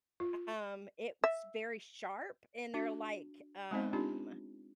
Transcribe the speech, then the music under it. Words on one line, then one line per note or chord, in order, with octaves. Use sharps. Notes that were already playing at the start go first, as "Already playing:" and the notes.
um, it was very sharp, and they're, like, um
F4
E5
D4 F#4
G#3 B3 C4 D#4 C5 D#5
C4 D4 D#4 F4 G4